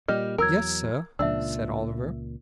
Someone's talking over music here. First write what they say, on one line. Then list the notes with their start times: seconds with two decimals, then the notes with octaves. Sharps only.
'Yes, sir,' said Oliver.
0.08 A#2 G3 G4 D#5 F6
0.38 E2 F#3 A#4 A#5 E6 G#6
1.19 C#2 A#2 F3 D4 E5 E6